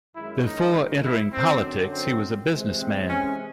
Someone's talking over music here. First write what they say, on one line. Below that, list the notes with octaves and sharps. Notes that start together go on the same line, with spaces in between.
Before entering politics he was a businessman.
F#2 D#3 G#3 E4
D#4
E4
F#2 D3 F#3 C4
C4
C3 E3 G#3
C4
C#4